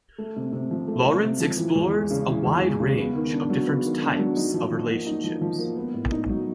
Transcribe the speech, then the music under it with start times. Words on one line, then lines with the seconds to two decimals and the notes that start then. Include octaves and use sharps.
Lawrence explores a wide range of different types of relationships.
0.18 A3
0.36 C3
0.53 C3
0.71 F3
0.88 A3
1.05 C3
1.23 C3
1.40 F3
1.57 E3
1.75 E2
1.93 G#3
2.11 C#3
2.27 E3
2.45 E2
2.62 G#3
2.80 C#3
2.98 B3
3.15 D#3
3.32 D4
3.50 F#3
3.67 B3
3.85 D#3
4.03 D4
4.19 F#3
4.37 D#4
4.54 F3
4.72 F3
4.90 A#3
5.06 D#4
5.24 F3
5.42 F3
5.59 A#3
5.76 B3
5.94 A2
6.12 D#4
6.29 F#3